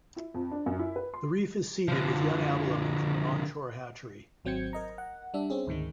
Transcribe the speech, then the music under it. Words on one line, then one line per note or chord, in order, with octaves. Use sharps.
The reef is seeded with young abalone from an onshore hatchery.
E4
F2
D4
F#2
E4
B4
C6
D3 F3
G#1 F#3 C4 G6 G#6 C#7
A#4 D#5 A#5
F#5
G3 D4 E5
C4 C#4 G#4
D2 G#2 D#3 G#3